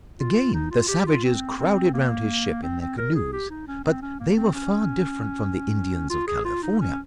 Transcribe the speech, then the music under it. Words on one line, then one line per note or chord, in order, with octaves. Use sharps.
Again the savages crowded around his ship in their canoes, but they were far different from the Indians of California.
F4
D#4
F4
G4
F4
C4
C4
A#3
C4
C4
A#4
G#4
G4
D#4
C#4
C4
C#4
A#3
C4
C#4
F4
G#4
F4
D#4
C#4